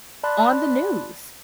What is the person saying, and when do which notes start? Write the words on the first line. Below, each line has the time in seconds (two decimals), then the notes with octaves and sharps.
on the news.
0.23 D5 A5 B5 C6 F#6